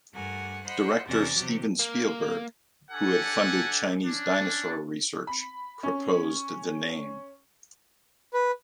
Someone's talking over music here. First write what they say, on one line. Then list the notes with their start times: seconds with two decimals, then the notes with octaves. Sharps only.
Director Steven Spielberg, who has funded Chinese dinosaur research, proposed the name.
0.14 G2 A3 A#4 F#5 G#5
0.64 C5 D#5 F#5 B5 C6
1.07 E2 C3 C#4 D4 A6 A#6
1.36 C3 E3 F#3 G4
1.79 A#3
2.91 D4 G4 A4 F#5 G#5
4.05 C#4 D4
5.27 B5
5.83 C#4
8.34 B4